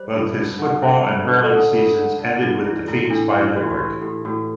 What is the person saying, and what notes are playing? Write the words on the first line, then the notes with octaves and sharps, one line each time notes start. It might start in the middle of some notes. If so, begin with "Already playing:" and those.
Both his football and hurling seasons ended with defeats by Limerick.
Already playing: G3 C5
G2
G2
D3
D3 C5 E5
G3
C5
G2
A4
D3
G3 A4
D3
D3
G2
E3 E4
A2 E4
E4
A2 D4
A2 E4
E3 F#4
G4
F#4
E3 G4
A2 G4
A2 F#4